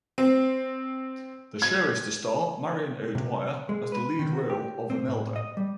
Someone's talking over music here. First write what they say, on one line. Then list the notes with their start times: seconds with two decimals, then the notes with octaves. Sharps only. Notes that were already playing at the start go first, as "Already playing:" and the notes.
The show is to star Marion O'Dwyer as the lead role of Emelda.
0.18 C4
1.62 G#6
3.15 C3
3.69 G#3
3.92 B4
4.19 D#3
4.33 F#4
4.50 G4
4.90 C4
5.08 A2
5.36 D#5
5.57 G3